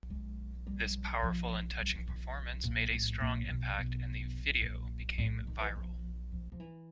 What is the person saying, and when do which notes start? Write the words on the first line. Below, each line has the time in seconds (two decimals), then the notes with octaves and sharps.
This powerful and touching performance made a strong impact and the video became viral.
0.10 G#3
0.67 G3
1.23 F3
1.80 G3
1.94 E3
2.08 D#3
2.64 A#2
2.93 A2
3.20 A#2
3.49 B2
3.78 B2
4.61 A#2
5.18 A2
5.47 D#3
5.60 E3
5.75 F3
6.32 F3
6.52 F3
6.60 E3